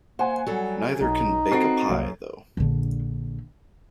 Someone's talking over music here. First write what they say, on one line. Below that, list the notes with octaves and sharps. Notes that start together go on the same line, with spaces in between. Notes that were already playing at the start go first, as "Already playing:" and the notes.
Neither can "bake a pie," though.
A#3 C5 F#5 G#5
F#3 G3 A4
B1 D#4
C4 F#4 A4 B4 C7 D7
C2 F#2 A#3
A#1 D3